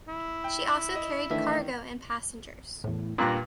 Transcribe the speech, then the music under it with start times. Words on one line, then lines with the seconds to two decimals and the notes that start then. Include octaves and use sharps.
She also carried cargo and passengers.
0.08 E4
0.44 G5
0.95 D#5
1.30 D#3 E3 A3 D4 E5
2.84 E2 A2
3.18 G2 A#2 D6 F#6 A#6